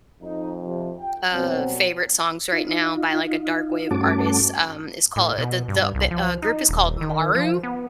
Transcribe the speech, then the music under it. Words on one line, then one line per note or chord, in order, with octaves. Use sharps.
uh, favorite songs right now by, like, a dark wave artist, um, is called the the the, uh, group is called Maru.
F2 D#4
C3 F3
G5
C2 B2 F#3 C4
D#4 F4
G2 A3 C#4 F#4 A5 D6
A2
B2
G2
C2
F3
D#4
D#1
D#3
F3
B3